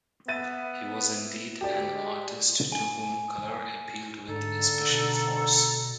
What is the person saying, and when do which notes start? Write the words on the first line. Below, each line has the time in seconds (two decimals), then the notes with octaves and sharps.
He was indeed an artist to whom color appealed with especial force.
0.28 B3 E5 A6 D#7
1.61 D2 G4 D5
1.93 G#3
2.72 G#5
4.28 G#2 D3 A4 A#5
4.91 B2 A#5